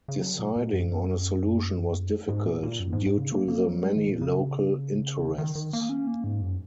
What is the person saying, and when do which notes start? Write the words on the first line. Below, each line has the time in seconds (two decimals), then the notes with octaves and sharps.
Deciding on a solution was difficult, due to the many local interests.
0.08 C#3
0.21 F#3
0.39 A#2
0.56 A#2
0.73 F#2
2.29 G#2
2.46 A#2
2.63 A#2
2.79 F#2
2.93 G#2
3.06 G#2
3.18 C#3
3.32 A#3
3.48 A#3
3.66 F#3
3.83 G#3
3.96 D#3
4.09 A#2
4.21 C#3
5.38 D#3
5.55 D#3
5.73 A#3
5.89 C#4
6.07 A#3
6.24 G#2
6.41 F#2